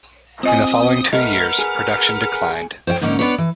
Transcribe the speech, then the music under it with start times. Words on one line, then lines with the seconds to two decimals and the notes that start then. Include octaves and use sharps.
In the following two years, production declined.
0.43 C4 F4 D#5 G#5 D#6
1.13 A3 A#4 B4 D#5 F#5 F6
1.59 G#4
2.87 C5 C#5 E5 G5
3.01 G#2 D3 A#3 C#4 D#4
3.19 B3 D4 B4 C#5
3.38 E3